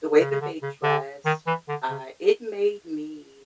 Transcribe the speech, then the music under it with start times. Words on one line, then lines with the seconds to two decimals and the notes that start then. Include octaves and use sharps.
the way that they dressed, I it made me
0.20 C#3
0.31 C#3
0.41 D3
0.62 C#3
0.83 D3
1.26 D#3
1.47 E3
1.69 D3
1.90 C#3